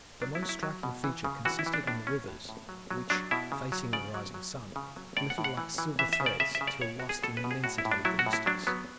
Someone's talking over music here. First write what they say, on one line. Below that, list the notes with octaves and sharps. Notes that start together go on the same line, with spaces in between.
The most striking feature consisted in the rivers, which, facing the rising sun, glittered like silver threads, till lost in the immensity of the distance.
F#3 D4
E4
F#3
E4
F#3
B2
E3
C#3
E3 F#4
E4
E3
D4
A2 D4
E3 C#4
A2
A2
F#3
F#3
F#3 D4
B2 E4
C#3
F#3
C#3 D5
F#3
F#3
C#3
C#3
F#3
A2 D5
F#5
A2
F#5
E3
E3
E3 E5
E5
C#3
D5
C#3 E5
E5
C#3
D5
B2 C#5
B2 F#4
G#4
B2 A4
B4
B2
G#4
A2 F#4
E4
A2
D4
F#3 E4
F#4
A2
E4
F#3 D4
F#3 B3